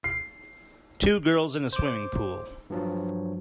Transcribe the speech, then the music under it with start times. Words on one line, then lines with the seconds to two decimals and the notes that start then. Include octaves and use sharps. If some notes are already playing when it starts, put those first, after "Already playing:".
Two girls in a swimming pool.
0.04 C7
1.73 C5 D6
2.70 G2 F3 F#3